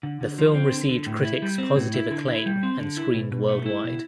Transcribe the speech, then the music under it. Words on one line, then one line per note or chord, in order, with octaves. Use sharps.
The film received critics positive acclaim and screened worldwide.
D3
D3
F3
C4
D3
D3
A2
E4
G3
C4
A2
E4
D3
E4
G3
C4
D3
E4
B2
B2
A3
E4
B2